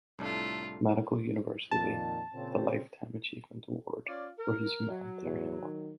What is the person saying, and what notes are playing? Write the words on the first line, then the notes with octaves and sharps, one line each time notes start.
Medical University with a "Lifetime Achievement Award" for his humanitarian work.
C2 A2 A3 D4 F4
F2 A#2 D#3 A5
A#2 C#3 C4
C#4 F4 D5
A#4
F#3
E2
D#3